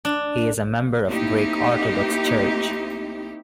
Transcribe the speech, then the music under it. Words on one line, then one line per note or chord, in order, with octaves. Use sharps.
He is a member of the Greek Orthodox Church.
D4
A3 A#3 C4 D#4 E4 G4